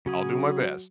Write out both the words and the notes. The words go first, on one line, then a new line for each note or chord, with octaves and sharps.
I'll do my best.
C#3 F#3 C#4 G#4